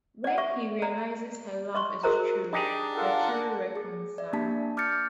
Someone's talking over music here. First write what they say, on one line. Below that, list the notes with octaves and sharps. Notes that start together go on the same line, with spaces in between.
When he realizes her love is true, the two reconcile.
D5 F#5
E5 C#6
D5 A#5
D#5 C6 C#6
F#4 G#4 A#4 C5 D#5 A#5
D4 D#4 G4 G#4
F4 A4 A#4 F#5
G#4
D5 E5
A#3 D4 G4 E5 A5 B6
D6 F6 G6 A6 C#7